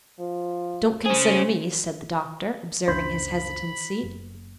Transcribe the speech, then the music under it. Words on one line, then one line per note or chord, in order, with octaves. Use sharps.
"Don't consider me," said the doctor, observing his hesitancy.
F3
C#4 G#4 C5
F#1 C#2 D4 C5 B5
F#1